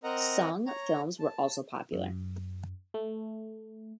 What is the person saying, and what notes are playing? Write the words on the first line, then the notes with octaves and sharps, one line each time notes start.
"Sung" films were also popular.
C4 A#4 D#5 F#5 A#5
C#5 A#5
A5
F#2
A3